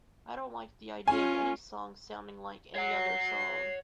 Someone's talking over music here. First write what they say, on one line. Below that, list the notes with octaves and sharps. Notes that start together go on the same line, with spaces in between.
I don't like the idea of any song sounding like any other song.
C#4 F4 G#5
C#5 F#5 C7